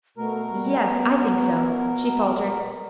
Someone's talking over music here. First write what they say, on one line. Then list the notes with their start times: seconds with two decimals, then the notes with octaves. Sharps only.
"Yes--I think so," she faltered.
0.17 B2 A3 A#4
0.51 G3
0.80 B3